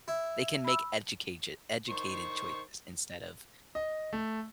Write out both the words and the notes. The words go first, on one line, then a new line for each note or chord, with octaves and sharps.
they can make educag educated choices instead of,
E4
B5 E6
D#3 C5 C#6
D#5
A3